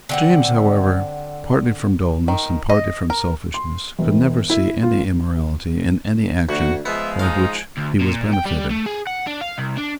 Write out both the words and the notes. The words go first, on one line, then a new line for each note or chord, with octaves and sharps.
James, however, partly from dulness and partly from selfishness, could never see any immorality in any action by which he was benefited.
D3 C4 F#5
D#3
D#5
A#4
C6
E1
E4
F4
D2 F#4
F3 G#3 B3 E5
D#4 F5
D2
A#2
G5
G3
A3
G#4
F#5
D4
F5
C2
D4